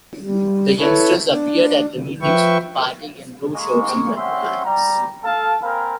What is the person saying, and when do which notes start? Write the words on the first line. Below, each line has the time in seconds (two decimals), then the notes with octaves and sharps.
The youngsters appeared at meetings of the party in blue shirts and red ties.
0.22 G3
0.79 E4 A4 B4 C#5
1.28 D4
2.22 F3 B4 E5 G5 C#6
3.55 G#3 A#3 C#6
4.16 G3 C4 C#4 E5 F#5 C6
4.65 G3 A#5
5.24 A4 F5 A5
5.63 A#3 C4 A#4 F5 G#5 B5